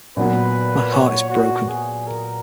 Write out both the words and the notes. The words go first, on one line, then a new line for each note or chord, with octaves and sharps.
My heart is broken.
A#2 F#3 B3 B4
C#5
F#4
G#4
A#4